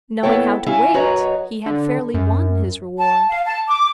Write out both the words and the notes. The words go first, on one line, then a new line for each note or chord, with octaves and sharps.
Knowing how to wait, he had fairly won his reward.
B3 E4 A4 C#5 G5
C#4 E4 E5 F5 G#5
F#2 F#4 B4 C#5 D#5 A#5
D3
F#2
A5
F5
A5
D6